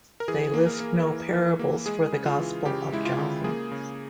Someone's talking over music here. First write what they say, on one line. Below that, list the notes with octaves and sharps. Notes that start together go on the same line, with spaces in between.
They list no parables for the Gospel of John.
A#4
E3 G#4
A#3
A#4
A#3
E3
E3
A#3
G#3 G#4
C#3
F4
E3
C#3 G4
G#3 E4
F4
C#3
A#3 G#4
C#3